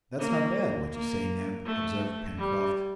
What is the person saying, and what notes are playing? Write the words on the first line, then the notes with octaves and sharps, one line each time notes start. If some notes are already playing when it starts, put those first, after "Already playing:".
"That's not bad, what you say, Neb," observed Pencroft.
A#3
A#3
A3
G3